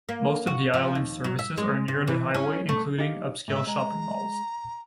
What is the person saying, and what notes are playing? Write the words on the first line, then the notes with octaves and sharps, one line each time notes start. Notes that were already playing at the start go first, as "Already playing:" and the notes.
Most of the island's services are near the Highway, including upscale shopping malls.
A#3
F#4
F3
D#2
F#3
E5
G#3
C3
E3
C#4
A3
D#4 G4 F5
G#2 B2 E5
G#3 A#5